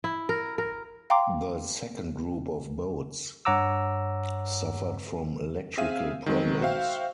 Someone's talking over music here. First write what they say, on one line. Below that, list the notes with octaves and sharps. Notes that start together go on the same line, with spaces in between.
The second group of boats suffered from electrical problems.
E4
A#4
A#4
F5 G5 A#5 C6 D6
G2 C#5 F#5 A#5 D6 E6
C4 G#4 E5 F5 D#7
D#3 F#3 G#3 C4 B4
F#4 C5 E5 F5 G5